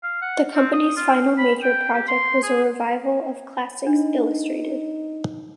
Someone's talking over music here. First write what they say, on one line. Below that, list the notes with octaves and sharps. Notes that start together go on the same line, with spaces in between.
The company's final major project was a revival of "Classics Illustrated".
F5
F#5
C4
D#6
F4
F5
B5
G5
G4
C6
G#4
D4 D#4